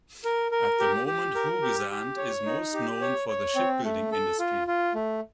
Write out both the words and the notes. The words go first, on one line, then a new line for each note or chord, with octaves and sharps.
At the moment Hoogezand is most known for the shipbuilding industry.
A#4
A#4
G4
G4
A#4
G4
G4
C#5
D#4
G4
C#5
C#5
C4
A3
A4
F4
F4
A3